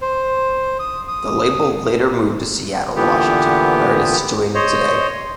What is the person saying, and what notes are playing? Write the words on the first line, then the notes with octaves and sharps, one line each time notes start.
The label later moved to Seattle, Washington where it is situated today.
C5
D#6
D#6
A#2 D3 E3 B3 G4
C5 C#5 D#5